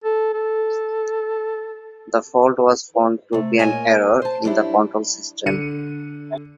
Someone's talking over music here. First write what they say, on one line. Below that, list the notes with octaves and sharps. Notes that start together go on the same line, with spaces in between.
The fault was found to be an error in the control system.
A4
A4
C3 A3
A#2 A#4 C#5 D#5 G#5
C5 A5
F#3 G3 D4 E4
D3 C#7 D#7